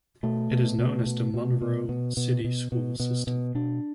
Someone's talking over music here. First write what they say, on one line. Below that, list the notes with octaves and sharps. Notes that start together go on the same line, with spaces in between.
It is known as the Monroe City School System.
B2 A3
B2
B2
B2
B2
B2
B2
B2
B2
B2
B2
B2
B2 D4